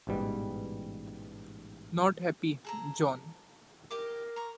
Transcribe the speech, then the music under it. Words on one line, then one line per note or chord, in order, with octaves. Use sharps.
'Not happy, John!
A1 G#2 B2 G3
G#4 A4 A#5
G4 A#4 D#5 D6
A#5 C#6